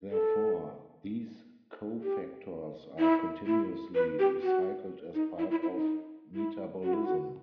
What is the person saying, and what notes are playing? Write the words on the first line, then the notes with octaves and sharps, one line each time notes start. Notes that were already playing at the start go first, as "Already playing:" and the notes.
Therefore, these cofactors are continuously recycled as part of metabolism.
A4
G4
E4
E4
B4
G4
F#4
D#4
E4
E4
E4
D#4
E4
F#4
E4
F#4